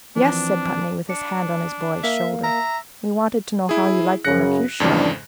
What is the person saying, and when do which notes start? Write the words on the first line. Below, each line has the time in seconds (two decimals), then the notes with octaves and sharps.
"Yes," said Putney, with his hand on his boy's shoulder, "we wanted to know how you liked the Mercutio."
0.16 E3 F3 C4 D4
1.10 D4 C#7
2.04 A#3 A#4 E5 F5
2.44 E5 A#5
3.69 E4 G#4
4.24 F#2 C#3 F#6 A#6 C#7
4.80 F2 G#2 C#3 E3 G3 D4